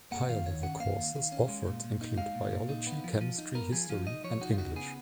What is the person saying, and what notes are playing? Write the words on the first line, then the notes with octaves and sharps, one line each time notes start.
Higher level courses offered include Biology, Chemistry, History, and English.
A#3 F#5
D#3 F5
D#3 C#5
C#4 F#5
A#3 F5
D#3
D#3
C#4
G#3
A#2
A#2
D#4
G#3 F5
A#2
A#2
D#4
B3
F3
F3
D#4
B3 A#4
F3 G#4
F3 F4
D#4 D#5
F3 C#5
D#4 F#4
F4
C#3 F#4
B3 G#4